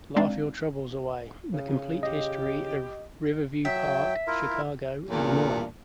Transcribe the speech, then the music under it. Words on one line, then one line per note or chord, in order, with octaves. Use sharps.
"Laugh your troubles away : The complete history of Riverview Park, Chicago, Illinois".
G#3 C4 D4 D#4 D5 F5
C#3
G4 D#5
F#3 E5 G5
E4 F4 A#4
E2 G2 A#2